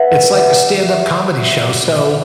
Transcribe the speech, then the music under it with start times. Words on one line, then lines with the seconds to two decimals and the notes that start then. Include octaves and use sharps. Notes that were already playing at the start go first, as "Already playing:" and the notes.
It's like a stand-up comedy show, so,
Already playing: B4 E5 F#5
0.55 E5